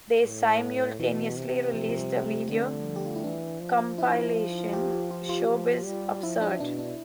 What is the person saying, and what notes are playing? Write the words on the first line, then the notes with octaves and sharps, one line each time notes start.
They simultaneously released a video compilation, "Showbiz Absurd".
A2
B2 E3
C3
F3
F3
G3
A3
D3 C4
G4
F4
E4
E3 D4
F3
E4
G4
F4
F4
F4
F3
G3
F3 E4
D4
B2 D4
D4